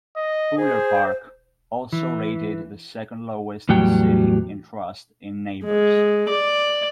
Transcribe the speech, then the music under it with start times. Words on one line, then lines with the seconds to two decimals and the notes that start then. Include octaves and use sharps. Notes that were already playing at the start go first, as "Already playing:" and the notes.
Fuller Park also rated the second-lowest in the city in trust in neighbors.
0.16 D#5
0.58 G#4 C5
1.93 E3
3.69 E2 A2 F#3 G3 F#4 G5
5.65 G#3
6.30 D5